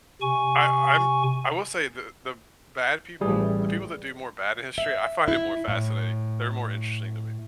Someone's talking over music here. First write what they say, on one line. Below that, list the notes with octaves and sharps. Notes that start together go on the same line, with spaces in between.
I I'm I will say the the bad people the people that do more bad in history, I find it more fascinating, they're more interesting to me.
C3 G#5 C#6
A1 E3 G3 A3 G#4
E5
E4
A2